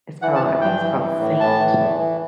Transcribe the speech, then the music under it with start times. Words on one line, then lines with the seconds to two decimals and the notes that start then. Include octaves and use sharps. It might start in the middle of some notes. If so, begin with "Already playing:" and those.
it's called I think it's called Saint
0.22 E3 F#5
0.35 A5
0.42 G2
0.61 G2 G5
0.81 E3
1.01 E3
1.20 A2
1.40 A2 A5
1.60 E3
1.79 E2
1.99 E3